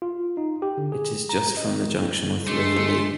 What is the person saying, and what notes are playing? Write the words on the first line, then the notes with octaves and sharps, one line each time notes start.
It is just from the junction with the River Lee.
F4
D#4
G4
D3
G#4
A#5
D#5
G#3 A3 D4 C6